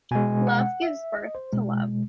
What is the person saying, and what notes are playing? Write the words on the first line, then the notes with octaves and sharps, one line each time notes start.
Love gives birth to love.
B2 G#3 G#5
F#5
E5
D#5
C5
B2 G#3